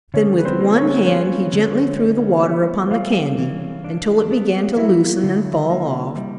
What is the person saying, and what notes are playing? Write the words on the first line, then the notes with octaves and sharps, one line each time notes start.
Then with one hand he gently threw the water upon the candy until it began to loosen and fall off.
D3 C#4 C#5
B4
C4 C5
A#3
C#4 C#5
F3 C#4 C#5
D3
D#4
B3
G3 F4 F5
E3
D4
B3
F#3 E4 E5
D3
A#3
G3